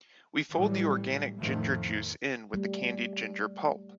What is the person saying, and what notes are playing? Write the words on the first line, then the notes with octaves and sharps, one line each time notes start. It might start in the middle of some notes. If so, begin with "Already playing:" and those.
We fold the organic ginger juice in with the candied ginger pulp.
A2 E3 F#3 G3
F2 A2 D#3 F3 A3
G3 A3